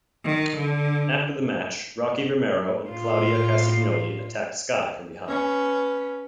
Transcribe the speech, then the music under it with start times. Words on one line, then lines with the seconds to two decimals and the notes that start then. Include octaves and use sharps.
After the match Rocky Romero and Claudio Castagnoli atttacked Sky from behind.
0.25 D#3
0.57 D3
2.90 A2 F4
5.27 C#4 B4